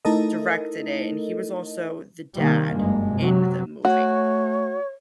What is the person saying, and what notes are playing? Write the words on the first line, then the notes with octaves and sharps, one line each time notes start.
directed it, and he was also the dad in the movie,
A3 D#4 E4 A4 A#4 D#5
C3 D#3 G3 A#3
F#1 G2 G#3
C3 F#3
A3 F#4 C#5